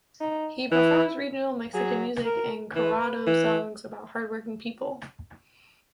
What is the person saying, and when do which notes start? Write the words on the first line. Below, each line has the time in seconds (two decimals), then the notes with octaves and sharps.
He performs regional Mexican music and corrido songs about hardworking people.
0.21 D#4
0.71 E3 E4
1.74 F#3 G#4
2.25 A#4
2.75 E3 B4
3.27 E3